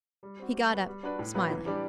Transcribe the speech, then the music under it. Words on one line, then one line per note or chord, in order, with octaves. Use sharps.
He got up, smiling.
G3
C4 F#4
G3
B3 F#4 B4
G3
D4 F#4 B4 D5
A2
F#3 B3 E4 B4
E3
G3 D4 G4 D5